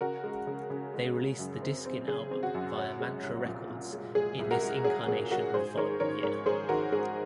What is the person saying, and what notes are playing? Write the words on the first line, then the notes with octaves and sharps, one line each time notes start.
They released the "Diskin" album via Mantra Records in this incarnation the following year.
C#3 F#4 A#4
G#3
C#3
C#3
G#3
G#3
F#2
C4
C4
C#3 G#4
C4
F#4
F#2
C#4
G#3
C2
A#2
A#2
G#3
G#3 G#4
C2
F#4 A#4
G#3
C#4 G#4
A#2 G#4
G#3 F#4 A#4
G#2 G#4 C5
D#3 A#4 C#5
D#3 A#4 C#5
G#2 A#4 C#5
G#2 G#4 C5
D#3 F#4 A#4
G#2 G#4